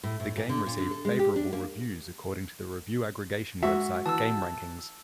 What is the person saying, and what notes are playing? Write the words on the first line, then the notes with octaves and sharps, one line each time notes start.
The game received "favorable" reviews according to the review aggregation website GameRankings.
A2
A2
A#2
D3
A#2
D3
A4
G#3
G4
D4
A#3
G#2 F#4 E5
E3 A5 E6